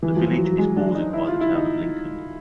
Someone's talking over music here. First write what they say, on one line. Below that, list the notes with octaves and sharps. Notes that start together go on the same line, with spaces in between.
The village is bordered by the Town of Lincoln.
E3
F3
F#3
F#3
G#3
D4
D#4
E4
F4
E4
D#4